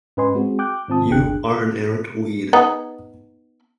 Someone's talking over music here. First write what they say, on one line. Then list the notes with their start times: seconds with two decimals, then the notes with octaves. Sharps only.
You are an errant weed.
0.17 G#2 C#4 B4 D#5 G#5 C6
0.34 G#3 C4 F#4 G#4
0.59 G5 D6 F#6 G6
0.88 G#2 D#3 C4 F4 A5 D#6
1.09 G1 D#2 D4 G#4 G5 F#6
2.53 B3 D#4 G#4